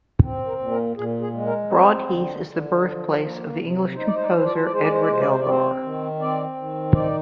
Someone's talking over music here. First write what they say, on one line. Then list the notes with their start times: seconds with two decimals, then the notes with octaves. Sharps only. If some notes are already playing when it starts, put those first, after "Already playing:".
Broadheath is the birthplace of the English composer Edward Elgar.
0.21 C4
0.46 A#4
0.58 A#2
0.71 A#4
0.96 A#2 G#4
1.21 G#4
1.33 G#3
1.46 A#4
1.71 C4 C5
2.08 D3
2.46 D3
2.83 F3
3.20 A#3
3.58 C3
3.95 D#4 C5
4.05 D5
4.15 C5
4.24 D5
4.32 F3 C5
4.43 D5
4.53 C5
4.63 D5
4.70 G#3 C5
4.82 D5
4.91 C5
5.01 D5
5.07 C3 C5
5.20 D5
5.31 C5
5.40 D5
5.45 C4 C5
5.83 D#3
6.20 C4 D5
6.57 D#3
6.94 D#4 D5